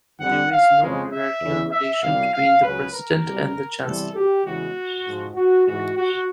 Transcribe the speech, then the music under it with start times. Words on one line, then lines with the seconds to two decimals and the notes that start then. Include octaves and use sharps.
There is no hierarchical relation between the president and the chancellor.
0.19 F2 D3 G3 F#5
0.50 F5
0.80 F2 C#3 F3 G#3
1.10 E5
1.40 E2 C#3 E3
1.71 E5
2.01 C2 B2 G3 F5
2.32 F5
2.62 C#2 C#3 F#3 B4
2.92 A#4
3.23 C2 B2 G3
3.83 E2 C3 E3 G3 A4
4.14 G4
4.44 E2 C#3 E3 G#3 F#4
5.05 G#2 F3 G#3
5.35 F#4
5.65 G#2 E3 G#3 F#4
5.96 F#4